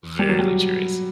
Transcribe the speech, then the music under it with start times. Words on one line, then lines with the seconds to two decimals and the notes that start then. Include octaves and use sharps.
Very luxurious.
0.19 G3
0.29 F#3
0.39 G3